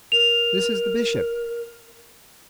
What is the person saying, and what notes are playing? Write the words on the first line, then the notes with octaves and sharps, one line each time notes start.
This is the Bishop.
A#4 F7